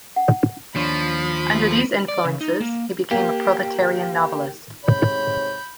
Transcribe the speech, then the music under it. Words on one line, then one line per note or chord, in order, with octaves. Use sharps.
Under these influences he became a proletarian novelist.
F#5
D#2 F3 D4 C#5 B5
D5
C#3
D#4
A#3
A#3 G4
G#2 C3 C#5 B5 G6